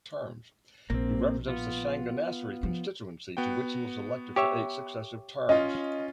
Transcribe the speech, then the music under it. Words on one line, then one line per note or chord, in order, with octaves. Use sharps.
He represents the Changanassery constituency to which he was elected for eighth successive terms.
A#1 A#3 C4
B3 F4
F3
B3 F#4 G5
G4 C#5 E5
C#4 F4 D#5